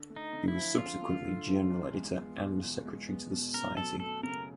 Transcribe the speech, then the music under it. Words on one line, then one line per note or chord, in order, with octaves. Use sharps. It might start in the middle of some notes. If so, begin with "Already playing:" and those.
He was subsequently general editor and secretary to the society.
Already playing: D3
A3
D#4
D3
E4
F3
D3 F4
A3
D3
F3
E2
G#3
B3
B2
E2
G#3
B3
B2
F#2 A#4
F#3 A4
A3 A4
C#3 A#4